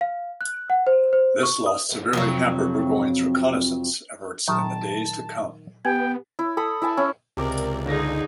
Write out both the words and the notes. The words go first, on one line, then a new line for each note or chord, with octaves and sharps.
This loss severely hampered Burgoyne's reconnaissance efforts in the days to come.
F5
F#6
F#5
C5
C5
C#6
D#6
F2 C3 F#3
A#2 D#3 F#3 A5
B3 G4 G5 G#5 G#6
E4
A4 B5 D#6
E4 E5 G#5 A5
C#4 E4
C#2 C3 A#4 D5 D6
G1 D3 D#4 G#4 A#6